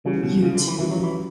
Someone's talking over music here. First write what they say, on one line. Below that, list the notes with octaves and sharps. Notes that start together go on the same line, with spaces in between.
You too.
C#3 E3 G3 C#4 F#4
B2
C#3
D3
E3
E3 G3 C#4 F#4
F#3
E3